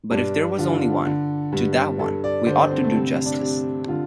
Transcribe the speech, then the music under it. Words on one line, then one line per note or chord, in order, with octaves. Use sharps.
But if there was only one-- to that one, we ought to do justice.
G2 D4
D3 F4
D3
G2
G2 A4
D5
D3 C5
C4
A3
C3 C4
D4
C3
D3 F4